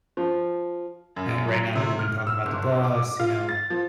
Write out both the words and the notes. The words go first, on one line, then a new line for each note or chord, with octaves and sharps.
eh, right now that we've been talking about the bus, you know,
F3
F#2
F#3
C3
F6
E6
F#1
D6
F4
A6
F3